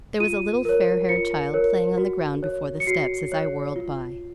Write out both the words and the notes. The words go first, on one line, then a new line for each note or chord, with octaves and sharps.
There was a little fair-haired child playing on the ground before the steps as I whirled by.
F4 D#7
A#4 C#5
F4 C#7
A#4 C#5
F#4
C#5
C#7
F#4 C7
C#5
F4